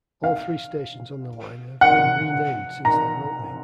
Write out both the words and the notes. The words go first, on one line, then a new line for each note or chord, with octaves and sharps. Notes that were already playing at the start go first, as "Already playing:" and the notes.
All three stations on the line have been renamed since their opening.
F5
F#5
A#5